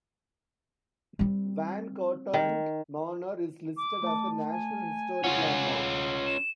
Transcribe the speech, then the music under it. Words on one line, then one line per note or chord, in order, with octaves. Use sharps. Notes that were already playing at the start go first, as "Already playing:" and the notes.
Van Cortlandt Manor is listed as a National Historic Landmark.
G3 C4
D#3
D6
A3 A5
G#5
C#4 F4 F#5
E7